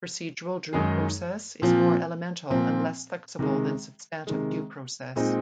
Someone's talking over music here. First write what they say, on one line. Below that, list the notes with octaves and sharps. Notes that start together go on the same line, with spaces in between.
Procedural due process is more elemental and less flexible than substantive due process.
F#2 D#3 G#3 D#4 G#4
A#2 F3 C4
A#2 F3 C4
C3 D#3 G#3
C3 D#3 G#3
A#2 G#3 C4 D#4